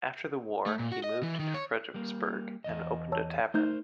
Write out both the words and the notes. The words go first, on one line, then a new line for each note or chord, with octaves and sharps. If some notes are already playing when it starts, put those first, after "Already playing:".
After the war, he moved to Fredericksburg and opened a tavern.
A3
A#2
F#4
D#5
E3
D#3
C#5
G3 A#3
E2 G2 D#5
C#5 A5 E6
A3 D#4 A#4 C5 G6